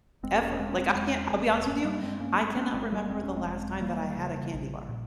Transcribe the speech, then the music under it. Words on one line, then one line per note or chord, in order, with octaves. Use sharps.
Ever. Like, I can't I'll be honest with you. I cannot remember the last time that I had a candy bar.
E1 G#3 C4
A#3 C#4
E1 G#3 C4
C#4
G#3 C4
E2 G#3 C4
E1
G2 A#3 C#4
G3 A#3
G2 G#3 C4
A#3 C#4
G1 G#3 C4
A#3 C#4
G1 G#3 C4
G3 A#3
E1 C4
C#4
G#3 C4
E1
E1 G3 A#3
C#3
A#1
A#2